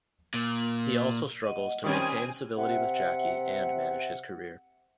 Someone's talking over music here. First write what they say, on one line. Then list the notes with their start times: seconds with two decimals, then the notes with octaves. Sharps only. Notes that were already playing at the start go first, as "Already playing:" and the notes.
He also struggles to maintain civility with Jackie and manage his career.
0.34 A#2
1.44 D#5 F#5
1.84 D#3 G3 C4 C#4 G#5 D#6
2.57 C3 E5 F#5